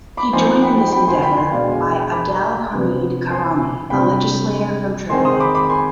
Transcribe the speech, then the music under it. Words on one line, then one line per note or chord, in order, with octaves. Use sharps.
He joined in this endeavour by Abdel-Hamid Karami, a legislator from Tripoli.
B5 D6
F3 C4 D#4 G#5 C6
G5 B5
G5 B5
G5 B5
G#5 C6
G5 B5
G#5 C6
B2 G#3 D4 D5 F5
F5 G#5
G5 B5
B5 D6
C3 F3 B3 D4
G#5 C6
C3 G3 D4 G5 B5
D#3 G#3 C4 D#4 G#5 C6
C6 D#6
B5 D6
B5 D6
G#5 C6